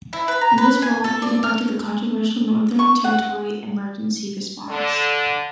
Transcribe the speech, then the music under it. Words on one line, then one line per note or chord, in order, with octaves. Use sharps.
In this role, he conducted the controversial Northern Territory Emergency Response.
E4
B4
A#5
B4
G#5
A4
D5
F6
C#6
F#5
D3